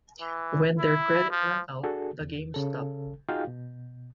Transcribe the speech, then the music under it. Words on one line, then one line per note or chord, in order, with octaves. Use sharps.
When their credit ran out, the game stopped.
E3
E4
F3
D4 F#4 G#4 A4
E2
C#3 A4
D#4 F4 F#4 G#4 F5 G5
B2